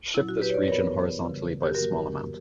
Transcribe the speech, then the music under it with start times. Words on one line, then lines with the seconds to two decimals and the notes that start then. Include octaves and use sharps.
Shift this region horizontally by a small amount.
0.14 A#2 F#3 C#4 E4
0.29 F#4
0.42 G4 B4
0.50 C#5
0.54 B4 D5
0.68 F#2 E3 B3 A#4 C#5
1.21 C#3 E3 G3
1.63 G4
1.74 F#2 D3 F#3 A#3 F#4 A#4